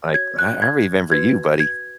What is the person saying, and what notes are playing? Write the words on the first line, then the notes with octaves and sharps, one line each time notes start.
like, "I I remember you, buddy."
F#4 C#5 G#6
F#6
G#6
F#4 B4 G#6
G#6